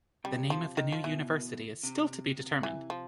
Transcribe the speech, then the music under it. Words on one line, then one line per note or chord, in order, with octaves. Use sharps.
The name of the new university is still to be determined.
C3 G3
F3
D#3
F3
B2 E3
C3
E3
F3